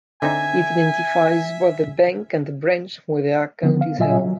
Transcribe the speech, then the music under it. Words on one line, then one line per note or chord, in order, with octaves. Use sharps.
It identifies both the bank and the branch where the account is held.
D3 C4 D#4 E5 G#5
D3 F3 B3
F5
A#2 F#3 F4 D#5 E5 G#5
F#3